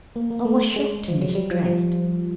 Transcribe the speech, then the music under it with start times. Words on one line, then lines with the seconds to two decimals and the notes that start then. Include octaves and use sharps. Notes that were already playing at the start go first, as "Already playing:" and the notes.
I was shocked and distressed.
0.16 A#3
0.30 A#3
0.45 A3
0.76 G#3
1.08 F3
1.21 F#3
1.35 G3
1.51 F3
1.66 F3